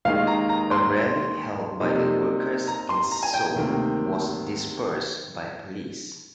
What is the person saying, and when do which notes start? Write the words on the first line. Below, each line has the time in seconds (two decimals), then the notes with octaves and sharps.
A rally held by the workers in Seoul was dispersed by police.
0.05 D#2 D#3 G#3 D#4 F5
0.27 A#5
0.49 A#5
0.71 C6
1.80 C3 G3 A#3 D#4
2.67 A#5
2.89 C6
3.12 A#5
3.23 G#5
3.34 G5
3.55 D2 C3 D#3 A#3